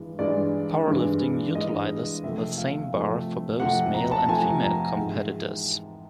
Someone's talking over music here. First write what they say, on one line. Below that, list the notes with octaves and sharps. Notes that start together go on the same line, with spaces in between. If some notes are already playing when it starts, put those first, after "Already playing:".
Powerlifting utilizes the same bar for both male and female competitors.
Already playing: G2 E3 G#3
G2 E3 G#3 D5
G2 E3 G#3
G2 E3 G#3 D#5
C3 F3 A3 E5
F5
C3 F3 A3
C3 F3 A3 F#5
A#5
A5
C3 F3 A3 G#5
A#5
A#5
G#2 E3 G#3